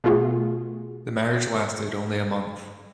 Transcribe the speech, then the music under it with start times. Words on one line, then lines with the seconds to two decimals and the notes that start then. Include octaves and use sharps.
The marriage lasted only a month.
0.04 B2 A3 F4 F#4 G#4